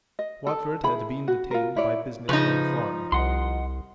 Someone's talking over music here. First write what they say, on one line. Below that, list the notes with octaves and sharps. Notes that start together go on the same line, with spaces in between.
Watford had been detained by business on the farm.
D#5
A4
E4 G#4 B5
F#4
F4 A#4
E4 C#5 D5
C#3 F3 D#4 B4 C#6 G6
C2 D#5 F#5 C6